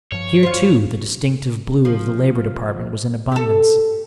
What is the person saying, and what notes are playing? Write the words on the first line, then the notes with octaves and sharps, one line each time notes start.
Here, too, the distinctive blue of the Labour Department was in abundance.
G2 F3 C#5
F4 C5
F3
G4 A4